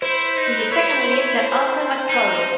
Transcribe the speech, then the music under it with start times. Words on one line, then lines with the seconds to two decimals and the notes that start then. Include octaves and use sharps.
In the second list there also was quorum.
0.02 E4 C5
0.26 C5
0.37 D#4
0.48 B4
0.71 E4 C#5
0.94 C5
1.17 C#5
1.41 C5
2.09 D#4